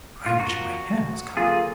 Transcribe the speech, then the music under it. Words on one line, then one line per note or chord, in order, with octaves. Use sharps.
I wish my hair was cut!
F4
F3 A#3 F#4
D3 F#3 A#3 F4 G#4